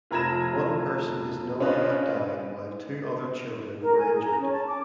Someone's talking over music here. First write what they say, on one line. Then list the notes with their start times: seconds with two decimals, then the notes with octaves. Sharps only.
One person is known to have died while two other children were injured.
0.11 F1 F2 A#5 G#6 A#6 E7
1.60 C#4 D4 F4 B4 C5 D#5
3.82 A#4
3.98 G#5
4.11 G#4
4.23 A#5
4.39 C#4
4.52 A5
4.68 D6